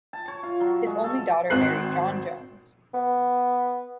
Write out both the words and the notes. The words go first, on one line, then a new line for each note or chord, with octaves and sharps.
His only daughter married John Jones.
A5
C#5
F4
F#3
G#3
A4
G#1 C4 F#6 C7
B3